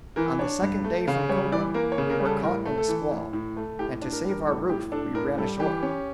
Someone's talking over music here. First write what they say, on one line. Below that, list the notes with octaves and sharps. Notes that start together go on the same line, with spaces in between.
On the second day from Coca we were caught in a squall, and to save our roof we ran ashore.
E3 A#4
D4 C#5
G2
A3
C#3 F5
G3 C#5
E3 D5
A#3 A#4
C#5
C#3
A#4
G3
A4
A2 A#4
A3
A4
E3
A2
A2
A3
A2 G4
D4
A#4
G3 A#4
A2 A4
A2 G4
D4 A4
A2 A#4
G3 A4
E3 G4
C#4